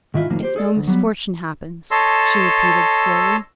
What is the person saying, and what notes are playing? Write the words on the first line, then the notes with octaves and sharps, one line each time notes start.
"If no misfortune happens," she repeated slowly.
G#2 D#3 E3 E4 F4
F2 A2 D#3 F3 A#3
G4 C5
G#4 A4 D5
D2
F#3 G3 B3
A4 C#5 D#5 A5 C6 E6